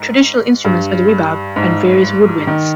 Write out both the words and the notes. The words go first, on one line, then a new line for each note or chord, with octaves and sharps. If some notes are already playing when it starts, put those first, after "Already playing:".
Traditional instruments are the rebab and various woodwinds.
Already playing: G#2
G2
G#2
D#3